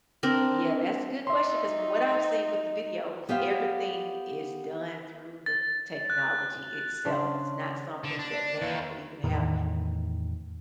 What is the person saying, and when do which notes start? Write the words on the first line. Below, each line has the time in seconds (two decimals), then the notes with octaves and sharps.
Yeah, that's a good question 'cause from what I've seen with the videos, everything is done through the technology itself. It's not something that man would even have,
0.23 C4 D4 A#4
1.27 D#4 E5 C6
3.29 B3 G4 C5 E5 F5
5.46 A6
6.10 F#6
7.05 C#3 D4 C5
8.04 D3
8.19 D4
8.61 D#2
9.24 E2 A2 D#3